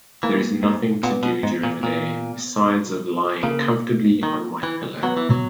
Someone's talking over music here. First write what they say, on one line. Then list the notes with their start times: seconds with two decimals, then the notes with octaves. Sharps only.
There is nothing to do during the day besides of lying comfortably on my pillow.
0.23 E3 A#3
0.63 G#2
1.03 A#2 B3
1.23 B2
1.43 G#2
1.63 A#2
1.83 A#2
3.43 C#3 A#3
4.23 D#3
4.63 E3
5.03 F#3 B3
5.17 E3
5.30 F#3